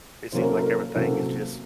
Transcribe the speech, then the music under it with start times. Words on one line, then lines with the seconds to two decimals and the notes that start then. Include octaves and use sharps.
it seems like everything is just
0.32 C3 F#3 A#3 C#4 C5
0.42 A#4
0.51 A4
0.59 A#4
0.95 C3 F#3 A#3 C#4 A4